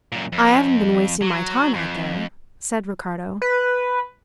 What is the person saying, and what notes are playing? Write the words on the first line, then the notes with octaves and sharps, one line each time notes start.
"I haven't been wasting my time out there," said Ricardo.
F#2 A#2
F2
F#3
F2
B4